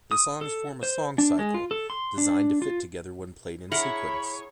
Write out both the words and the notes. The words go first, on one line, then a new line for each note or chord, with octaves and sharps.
The songs form a song cycle, designed to fit together when played in sequence.
D#6
A4
C5
D4
G#3
F4
A4
C6
D4
F4
E4 G#4 A#4 C#5 F#5 B5